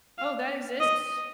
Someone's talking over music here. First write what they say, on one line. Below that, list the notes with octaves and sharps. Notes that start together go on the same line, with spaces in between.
Oh, that exists?
F5
D#5